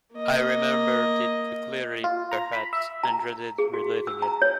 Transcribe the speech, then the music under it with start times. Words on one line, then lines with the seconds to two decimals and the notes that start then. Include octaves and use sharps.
I remembered it too clearly, perhaps, and dreaded re-living it.
0.13 A#3 D#5
2.04 F4
2.32 A#5
2.53 B5
2.73 E5
3.03 A#5
3.58 G#4
3.74 F#4
4.07 E6
4.22 A#5
4.42 C#5